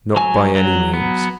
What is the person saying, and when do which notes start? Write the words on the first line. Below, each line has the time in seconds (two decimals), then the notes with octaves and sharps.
Not by any means!
0.16 F#3 G#5
0.55 F#3
0.94 B3